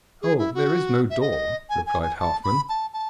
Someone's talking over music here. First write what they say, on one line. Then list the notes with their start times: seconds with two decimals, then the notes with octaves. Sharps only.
'Oh, there is no door,' replied Halfman.
0.22 G#4
0.39 E4
0.55 F#4
1.10 E5
1.21 D#5
1.70 G#5
1.87 G#5
2.02 G#5
2.20 A5
2.44 B5
2.69 A5
2.93 A5